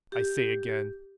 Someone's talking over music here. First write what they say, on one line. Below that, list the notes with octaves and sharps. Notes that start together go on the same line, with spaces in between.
I say again.
G4